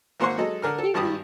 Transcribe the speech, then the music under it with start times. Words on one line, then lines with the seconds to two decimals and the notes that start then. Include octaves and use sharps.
He need
0.20 G#1 A#3 C5 F#5 C6 C#6
0.37 F#3 G#3 A4 D#5
0.62 D3 A#4 F6
0.78 A4
0.94 G#1 G2 G4 A5 B5 D#6